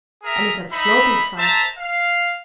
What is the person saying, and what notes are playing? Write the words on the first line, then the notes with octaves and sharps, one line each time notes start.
And it had sloping sides.
G#4 A#4 E5 A#5
D#4 E5 B5
C5 E5 A5 A#5
F5